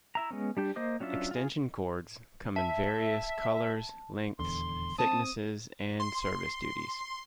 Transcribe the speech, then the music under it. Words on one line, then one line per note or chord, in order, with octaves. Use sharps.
Extension cords come in various colors, lengths, thicknesses and service duties.
E4 E5 A#5
G#3 B3 C#4
G3 D4 G4
A#3 C5 D#5 D6
F#3 C#4 D4 F4 E5
F4 G#4
E5 A5
D#1 E2 D3 C6
C4 A5 D#6
C6